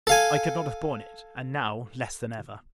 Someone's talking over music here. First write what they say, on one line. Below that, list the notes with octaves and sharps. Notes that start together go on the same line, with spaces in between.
I could not have borne it; and, now, less than ever.
A4 F5 G#5